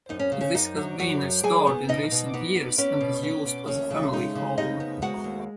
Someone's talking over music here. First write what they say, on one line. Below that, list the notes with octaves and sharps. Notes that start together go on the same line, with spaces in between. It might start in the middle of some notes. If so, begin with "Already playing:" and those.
This has been restored in recent years and is used as a family home.
F#2 D#4
C#4
C#3
C#4
F#2 D#4
F#3
F#2 F#3 F#4
F#2
F#3 G#4 G#5
B3
B2 D#4 D#5
B2
B3 D#4
B3
B3 C#4
B2
B3 C#4
B2
D#2 C#4
C#3
G#3 D#4
C#3
C#3 D#4 D#5
B3
G#3 F#4 F#5
D#2